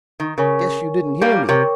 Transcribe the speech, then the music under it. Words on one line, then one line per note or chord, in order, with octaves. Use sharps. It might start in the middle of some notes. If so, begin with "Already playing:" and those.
Guess you didn't hear me.
D#3
C#3 A#4 C#5 G#5 C#6
G3 A#3
C3 A#4 C#5 G5 C#6